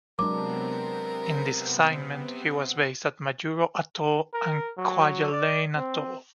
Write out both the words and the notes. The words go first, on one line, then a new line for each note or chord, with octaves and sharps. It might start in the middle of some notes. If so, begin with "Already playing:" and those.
In this assignment he was based at Majuro Atoll and Kwajalein Atoll.
C3 F#3 G#3 B3 C4 D4 A#4 D6
A#4
F#3
D5
C4